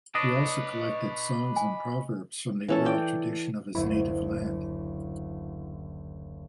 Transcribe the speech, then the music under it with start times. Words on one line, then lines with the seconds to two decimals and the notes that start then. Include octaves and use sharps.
He also collected songs and proverbs from the oral tradition of his native land.
0.15 D4 B4 C#5 D#5
1.56 G#5
2.68 E3 C#4 A4
2.85 D5 G5
3.75 F#1 D2 E4